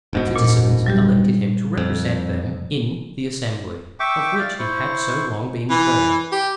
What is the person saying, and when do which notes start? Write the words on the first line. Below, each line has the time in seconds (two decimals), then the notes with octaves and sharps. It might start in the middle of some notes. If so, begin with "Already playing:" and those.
The citizens elected him to represent them in the assembly, of which he had so long been clerk.
0.13 E1 G#2 B2
0.36 A#2
0.86 F#3 G3 G4
1.77 F2
4.00 E5 G5 C#6 D6
4.39 D5 F5
4.59 E4 C5 C#6
5.70 E3
6.32 G4